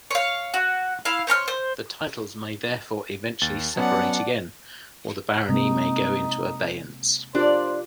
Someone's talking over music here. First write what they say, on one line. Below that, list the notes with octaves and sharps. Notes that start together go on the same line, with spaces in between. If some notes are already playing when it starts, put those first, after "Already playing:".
The titles may therefore eventually separate again, or the barony may go into abeyance.
C#5 F5
F#4
E4 F5
C5 C#5 A#5 F6
C5
D#2 A6
F#3 B3 C#4 D5 F#5 A5
C3 G#3 A#3 D#4
D4 F4 G4 A#4 C5 D5